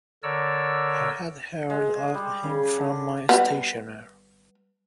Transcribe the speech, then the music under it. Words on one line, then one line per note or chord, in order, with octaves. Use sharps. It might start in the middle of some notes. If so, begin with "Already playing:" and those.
I had heard of him from my stationer.
D3 A#4 C#5 D5 E6
G#3
G3
C#3
D3
G3 B3